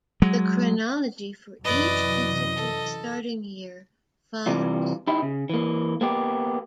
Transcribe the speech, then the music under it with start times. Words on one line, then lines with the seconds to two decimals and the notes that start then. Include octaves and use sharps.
The chronology for each institute's starting year follows.
0.22 F#3 G#3
1.64 F#2 C3 E3 B4 D5 D#5
2.56 A4
4.46 C3 E3 G3 F4
5.07 D#4 E4 G4
5.22 C#3
5.50 E3 A#3
6.01 A#3 B3 G4